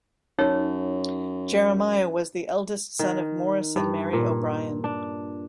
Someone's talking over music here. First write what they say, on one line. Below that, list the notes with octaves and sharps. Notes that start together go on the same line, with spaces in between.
Jeremiah was the eldest son of Morris and Mary O'Brien.
F#2 D#4 C#5 E6
D#3
G2
A#2
D4